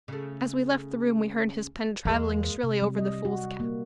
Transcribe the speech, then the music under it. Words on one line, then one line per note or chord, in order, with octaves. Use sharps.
As we left the room, we heard his pen travelling shrilly over the foolscap.
C#3 A3
E2 G#3 A#3
C3
G3
D#5
F#4
A#3